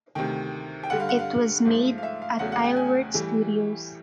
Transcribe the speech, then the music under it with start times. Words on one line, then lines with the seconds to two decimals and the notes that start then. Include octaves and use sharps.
It was made at Isleworth Studios.
0.15 D2 C3 D#3 G5
0.83 G5
0.90 G2 D3 G3 F#5
1.00 F5
1.09 F#5
1.19 F5
1.65 G#2 F3 A3
1.98 F5
2.03 E5
2.22 F5
2.39 E2 C#3 F#3 A3 F#5
2.52 F#5
2.64 G5
2.76 G#5
3.14 A2 E3 G3